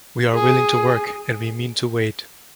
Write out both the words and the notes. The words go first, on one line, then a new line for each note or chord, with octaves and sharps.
We are willing to work, and we mean to wait.
G#4